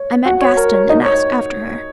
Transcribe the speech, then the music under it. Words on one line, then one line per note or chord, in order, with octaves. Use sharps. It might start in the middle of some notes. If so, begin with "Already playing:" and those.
I met Gaston and asked after her.
Already playing: C#5
F#4 F#5
C#5
A#4
C#5
D#4 D#5
C#5